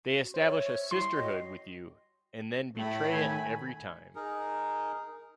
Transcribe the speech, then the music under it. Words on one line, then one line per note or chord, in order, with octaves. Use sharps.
They establish a sisterhood with you and then betray it every time.
F#4
C5 C#5 E5
G3 E4 C6
F#4 C#5 D#5 G5
A2 A3 B5
D#3 G#5
D#4 G#4 A#4